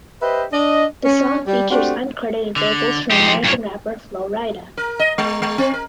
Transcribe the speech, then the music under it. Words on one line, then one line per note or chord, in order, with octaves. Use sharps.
The song features uncredited vocals from American rapper Flo Rida.
G4 B4 C5 D#5 E5
D4 D#5
C#4
G3
A3 C4 D4 F#4 G4
D3
F3 D#4 G4 C5
G2 A#2 A#3 C#5
A#4
D#5
G#3
G#3
C4
A#4